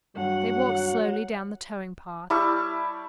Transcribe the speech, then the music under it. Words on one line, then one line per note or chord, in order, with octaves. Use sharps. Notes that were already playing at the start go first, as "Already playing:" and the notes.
They walked slowly down the towing-path.
G2 F#3 F#5
G3 E4 A5 C#6